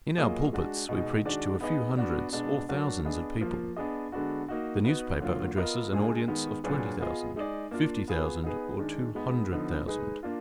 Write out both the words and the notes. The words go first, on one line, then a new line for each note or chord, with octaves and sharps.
In our pulpits we preach to a few hundreds or thousands of people; the newspaper addresses an audience of twenty thousand, fifty thousand, or two hundred thousand.
F#3 A#3 F4 G#4 D#5
G#3 D4 F#4
B2 G#3 D#4
D#3 G#3 D4 F#4 D5
B3 D#4 G#4 B4 D#5
B3 D4 F#4 D5
B2 G#3 B3 D4
F#3 D4 F#4 A#4
B3 D4 G#4 D#5
F3 A#3 F4
B3 D4 G#4 D#5
D3 G#3 B3 D4 F#4
A#3 D#4 F#4
B3 D#4 F#4 B4
D3 F#3 A#3 F4
B3 F4 A#4 D#5
A#2 G#3 D4 G#4
D#3 G#3 B3
A#2 F#3 D4 G#4 B4
B3 F4 G#4 D#5
G#3 D#4 G#4 D5
A#3 D4 F4
B3 F4 G#4 B4
B3 D#4 G#4 B4
D#3 G#3 D4
G#3 B3 D#4
D3 F3 B3 D#4
G#3 D#4 G#4 B4
A#3 D4 F4